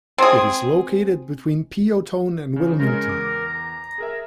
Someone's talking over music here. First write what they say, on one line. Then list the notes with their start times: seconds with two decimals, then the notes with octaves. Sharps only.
It is located between Peotone and Wilmington.
0.18 C4 G#4
2.56 C#3 F3
2.79 C#3 G#3 A#4
3.09 E2 D6
3.45 A#5
3.98 G#4 A#4 E5